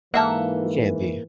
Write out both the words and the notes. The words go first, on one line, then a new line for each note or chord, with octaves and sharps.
It can be.
G#2 E3 A#3 A4 E5 F#5